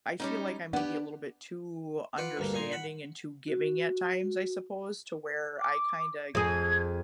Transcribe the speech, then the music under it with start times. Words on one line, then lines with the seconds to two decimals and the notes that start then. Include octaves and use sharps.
I feel like I may be a little bit too understanding and too giving at times, I suppose, to where I kinda
0.20 G3 C#4 D#4
0.73 B3 D4 G4 F#5
2.18 F4 B4 F#5 B5 D6
2.37 D2 G2 A#3
2.53 A#2 D#4 G#5 A#5 C6
2.72 F#5 B5
3.48 F#4
5.58 D6
6.35 F2 G#4 G#6